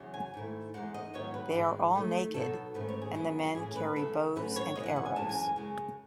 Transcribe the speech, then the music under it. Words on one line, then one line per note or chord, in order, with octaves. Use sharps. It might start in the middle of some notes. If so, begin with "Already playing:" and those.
They are all naked and the men carry bows and arrows.
Already playing: E2 C#3 F#3
G#5
G#2 D#3 A3 E4
E2 D#3 G#3 D#4 F#5
D#5
G#2 D#3 F#3 B3 E4 C#5
B4
G#2 D#3 G#3 D#4
D#3 A3 D#4
B2 F#3 B3 D#4 A4
G#2 D#3 A3 C#4 B4
C#5
G#4
E2 C#3 F#3 B3 E4 G#4
A2 E3 A3 C#4 E4 G#4
B4
E2 C#3 G#3 B3 A4
F#2 D#3 F#3 A3 C#4 B4
C#5
C#3 E3 G#3 B3 D#5
F#5
F#5
G#5
F#2 E3 G#3 C#4 E4 A5
G#5
G#5
F#2 C#3 G#3